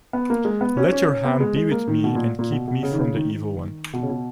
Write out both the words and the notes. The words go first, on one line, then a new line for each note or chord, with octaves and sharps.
Let your hand be with me, and keep me from the evil one.
B3
A#3
G#3
B3
C#4
C#4
C#4
B3
G#3
G#3
A#3
D#3
B2
A#2
A#2
B2
B2
C#3
D#3
C#3
D#3
D#3
B2
C#3
B2